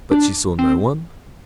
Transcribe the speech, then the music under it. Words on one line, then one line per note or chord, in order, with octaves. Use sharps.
"But she saw no one?"
D4
C4